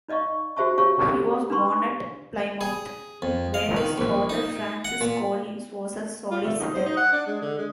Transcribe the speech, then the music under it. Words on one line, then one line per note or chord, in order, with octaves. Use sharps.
He was born at Plymouth, where his father, Francis Collins, was a solicitor.
D#4 D5 D#5 F5 C#6
F#4 G#4 C5 E5 A5 C#6
G4 C#5 F5 A5 C#6
G4
D4 D#4 B4 C6 C#6
G#4
F2
F5
D#3
A#1
D#4
F#5
A#2
F4
A3
D#4
C5
D#4
F#5
D4
G#3
D3
G#3